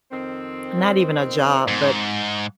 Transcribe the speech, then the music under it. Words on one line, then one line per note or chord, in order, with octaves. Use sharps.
not even a job, but,
F2 D#3 C4
G#2